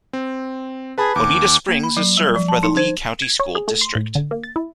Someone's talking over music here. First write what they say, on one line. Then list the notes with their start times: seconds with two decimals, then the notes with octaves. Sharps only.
Bonita Springs is served by the Lee County School District.
0.13 C4
0.98 G#4 B4 A5 B5
1.16 D#2 D6
1.68 A#3
1.83 B5
1.97 F#3
2.17 G3
2.36 F3
2.48 A5
2.63 D#4
2.77 C5
3.22 G#6
3.40 C#5
3.55 G#4
3.68 A3
3.81 C6
3.95 A2
4.15 D3
4.31 A#3
4.44 A6
4.56 E4